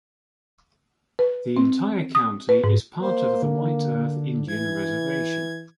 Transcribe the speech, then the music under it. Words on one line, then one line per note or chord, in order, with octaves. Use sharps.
The entire county is part of the White Earth Indian Reservation.
B4
C4
D#6
B4
G#2
A#3 C5
D3
E3 G#6